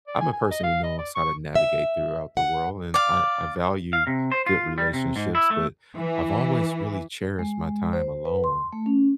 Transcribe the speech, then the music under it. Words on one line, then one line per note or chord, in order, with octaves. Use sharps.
I'm a person who knows how to navigate throughout the world, and I I value good relationships, but I've always really cherished my time alone.
D5
G#5
G#5
D#5
F5
D#5
D5
C#6
E5
F#5
D5 F5
F5
C3
C5
F4
G3
C3
G#2
E4
A3
E3
G#3
C5
B4
C6
A3
C#4